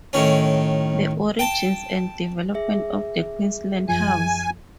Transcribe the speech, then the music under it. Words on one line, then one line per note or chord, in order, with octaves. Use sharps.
The origins and development of the Queensland house.
A2 D#3 C#4
G5 A5
G#4 E5
F#2 F3 G#5